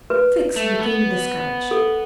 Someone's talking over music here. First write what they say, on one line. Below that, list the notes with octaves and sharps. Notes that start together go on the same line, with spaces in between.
Fix became discouraged.
B4
A3
B3
A4